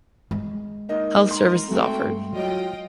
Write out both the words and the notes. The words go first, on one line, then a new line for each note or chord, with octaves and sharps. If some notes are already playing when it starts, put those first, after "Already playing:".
Health service is offered.
G#3
A#3 D#4 D#5
D#4 A#4 C6
A3 C4 F#4 G5
G2
F#3 F4 D#5 G5